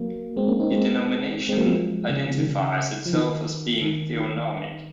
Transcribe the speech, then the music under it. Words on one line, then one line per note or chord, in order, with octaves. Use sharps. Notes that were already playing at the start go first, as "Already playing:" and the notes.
The denomination identifies itself as being theonomic.
Already playing: F#3 A#3
G#3 C4
A#3 C#4
C4 D#4
G#3 C4
G#3 C4
F#3 A#3
F3 G#3
C#3
C#3
D#3
C#3
F3
D#3
D#3
D#3